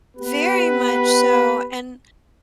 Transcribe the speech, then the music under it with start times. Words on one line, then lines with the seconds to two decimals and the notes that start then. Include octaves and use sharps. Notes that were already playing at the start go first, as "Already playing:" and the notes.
Very much so, and
0.17 B3 G4 B4